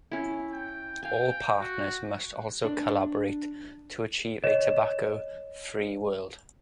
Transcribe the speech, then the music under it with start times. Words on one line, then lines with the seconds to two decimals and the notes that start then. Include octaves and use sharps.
All partners must also collaborate to achieve a tobacco-free world.
0.11 C#4 E4
0.52 G5
1.03 F5 G5 G#5
1.59 F#4
2.64 D4
4.44 C#5 D#5 E7